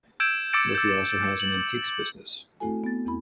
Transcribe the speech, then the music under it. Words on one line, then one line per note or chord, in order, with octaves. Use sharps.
Murphy also has an antiques business.
E6 G6 G#6 D7 E7
D6 E6 G6 A6 C#7 D7
E6 G6
F#7
A3 C4 E4 F#4 A4 G#5
B3 A6
E2 C4 E4 B5